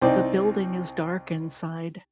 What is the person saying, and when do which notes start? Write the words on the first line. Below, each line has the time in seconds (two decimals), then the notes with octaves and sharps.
The building is dark inside.
0.01 C2 C4 D#4 D5